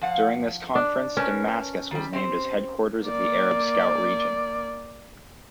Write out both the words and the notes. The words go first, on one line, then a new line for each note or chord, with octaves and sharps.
During this conference, Damascus was named as headquarters of the Arab Scout Region.
F3 F5 F#5
D4
C#4 A#4 B4 A5
D#3 G3
C4 G4 C5
A#3 D5